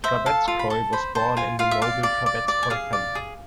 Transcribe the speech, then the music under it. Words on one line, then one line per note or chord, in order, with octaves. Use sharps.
Trubetskoy was born in the noble Trubetskoy family.
C5 E5
A4 F5
F4
B5
A4 A5
C5 B5
C5 A5
F4 G#5
F4 F5
E5
D5 F5
D5
D5
D5
G#5
G#4 F5
D5
G#4